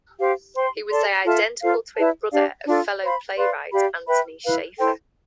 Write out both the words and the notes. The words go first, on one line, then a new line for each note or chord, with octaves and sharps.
He was the identical twin brother of fellow playwright Anthony Shaffer.
G4 C5 F5
C5 G5 C6
A4 D5 A5 C6
F4 A4 E5 A5
F4 A4 C5 F5
E4 B4 D5 A5
D4 G4 D5 F5
D4 F4 A4
C5 F5 B5
B4 D5 F5 C6
G4 D5 F5 B5
B4 E5 G5 B5
E4 B4 F5
E4 A4 C5 G5